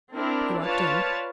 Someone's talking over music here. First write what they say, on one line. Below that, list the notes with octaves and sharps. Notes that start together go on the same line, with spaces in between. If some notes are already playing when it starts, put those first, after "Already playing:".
He walked in.
C4 D4 E4 A#4
F4 B4 C#5 D5 F5 A5